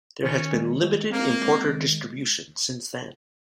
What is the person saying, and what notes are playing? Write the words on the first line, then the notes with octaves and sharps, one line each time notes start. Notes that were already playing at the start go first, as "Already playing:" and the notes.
There has been limited importer-distribution since then.
D#3 C#4
G#3
G#3
A#3 C4
G#3
D#3